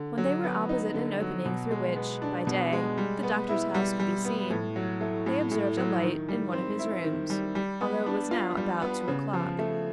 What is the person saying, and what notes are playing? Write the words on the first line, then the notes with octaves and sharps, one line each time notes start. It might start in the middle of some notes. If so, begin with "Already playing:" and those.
When they were opposite an opening through which, by day, the doctor's house could be seen, they observed a light in one of his rooms, although it was now about two o'clock.
Already playing: D3
F#3
B3
D#4
D3
F#3
B2
G#3
B3
D4
B2
G#3
G3
B3
E4
G3
G3
B3
A2
F#3
A3
A2
A2
F#3
D#3
G3
C4
E4
D#3
G3
G3
B3
D4
F4
G3
B3
C#3
F3
A3